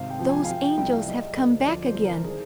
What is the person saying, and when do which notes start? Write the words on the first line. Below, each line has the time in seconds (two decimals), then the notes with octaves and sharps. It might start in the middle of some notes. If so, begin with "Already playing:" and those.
Those angels have come back again.
Already playing: G#1 C3 F5
0.10 G5
0.20 F3
0.29 G#5
0.45 F5
0.48 F3 G5
0.63 G5
0.78 C2 G5
0.92 F5
1.07 G3 D#5
1.36 D2
1.61 D#5
1.66 F3 D5
1.85 C5
1.95 C2
2.05 A#4
2.24 D#3 G#4